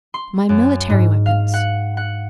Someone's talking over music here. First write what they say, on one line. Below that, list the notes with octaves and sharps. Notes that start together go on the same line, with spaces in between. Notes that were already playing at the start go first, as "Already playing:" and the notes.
"My military weapons."
C6
F#2
G#2
F5
F#5
F#5